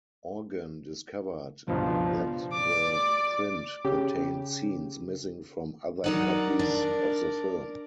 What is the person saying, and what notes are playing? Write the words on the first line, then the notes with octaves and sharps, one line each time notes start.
Organ discovered that the print contained scenes missing from other copies of the film.
C#2 G2 B2 F3
D5 D6
C#3 G4
F#3 D#4 A#4 D5 F#5
D4